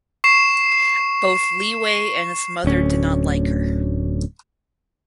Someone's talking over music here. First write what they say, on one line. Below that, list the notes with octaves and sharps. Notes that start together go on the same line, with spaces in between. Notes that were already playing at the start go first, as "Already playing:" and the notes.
Both Li Wei and his mother did not like her.
C#6 C7 E7
D1 D2 C#4